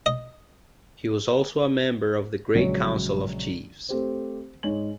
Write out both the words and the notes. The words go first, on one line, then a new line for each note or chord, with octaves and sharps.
He was also a member of the Great Council of Chiefs.
D#5
A#1 C#3 F#3 G#3 C#5
A3 C4 G4 C5
G#2 G#3 C#5 F#7